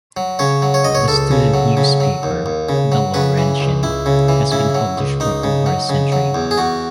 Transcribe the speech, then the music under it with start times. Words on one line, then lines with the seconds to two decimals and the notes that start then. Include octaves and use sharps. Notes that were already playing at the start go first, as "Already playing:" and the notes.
The student newspaper, "The Lawrentian", has been published for over a century.
0.17 F#3
0.39 C#3 C#5
0.62 F#3
0.74 C#5
0.84 C#2 D#5
0.95 C#5
1.08 C#2 A4
1.31 C#3
1.54 F#3
1.77 C#3
2.00 F#3
2.23 D#2
2.46 D#2
2.69 C#3
2.92 F#3
3.14 C#3 B4
3.37 E3
3.60 C#2
3.83 C#2 E4
4.06 C#3
4.29 E3
4.52 C#3 E4
4.75 F#3
4.97 C#2
5.20 C#2 D#4
5.44 C#3
5.66 F#3
5.89 C#3
6.12 F#3
6.34 E2
6.51 G#4
6.58 E2 F#4